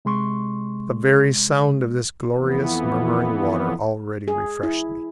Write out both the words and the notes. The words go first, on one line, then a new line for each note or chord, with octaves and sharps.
The very sound of this glorious murmuring water already refreshed me.
C3 G#3 C6 C#6
F2 E3 B3
G#4
E4